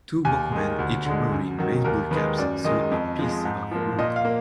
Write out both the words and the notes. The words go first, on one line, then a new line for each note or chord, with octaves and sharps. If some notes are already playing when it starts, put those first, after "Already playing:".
Two workmen, each wearing baseball caps, saw a piece of wood.
D#2 G#5
D#3 G#3
D2
D3 G#3
F#2
D#3 F#3
D#2 A#4
D#3 G#3 B4
F#2 D5
D#3 G#3 D#5
F2
F3 G#3
G#2
F3 A#3
A#2 D#5
F5
A#3